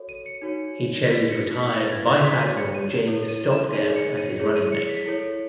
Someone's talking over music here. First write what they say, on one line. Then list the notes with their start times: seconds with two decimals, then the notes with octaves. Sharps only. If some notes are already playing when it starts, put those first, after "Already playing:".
He chose retired Vice Admiral James Stockdale as his running mate.
Already playing: F#4 A4 C#5
0.09 D#7
0.26 C#7
0.42 D#4 F#4 C#5
1.08 F#4 B4 B6
1.30 C#7
1.52 B6
1.75 E4 B4 A6
1.91 G#6
2.08 A6
2.24 B6
2.40 F#4 C#5 D#7
2.57 C#7
2.74 D#7
2.90 E7
3.07 E4 A4 C#5
3.29 D#7
3.51 E7
3.73 D#4 G#4 C#5 D#7
3.96 C#7
4.17 D#7
4.39 E4 G#4 C#5
4.56 D#7
4.72 C#7
4.89 B6
5.06 E4 A4 C#5